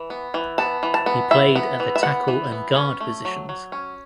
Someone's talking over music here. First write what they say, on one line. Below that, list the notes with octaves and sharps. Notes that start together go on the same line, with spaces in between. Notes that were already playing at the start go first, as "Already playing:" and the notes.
He played at the tackle and guard positions.
Already playing: E3
B3
E3
B3 A5
E3
A5
B3
E3 E5
B3
E3
E5
B3 F#5
E3
B3
C#4
A3
F#3
F#3
C#4